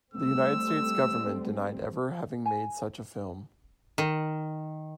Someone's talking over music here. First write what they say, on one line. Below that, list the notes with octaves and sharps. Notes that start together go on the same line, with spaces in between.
The United States government denied ever having made such a film.
G3 A3 C4 E6
G#5
D#3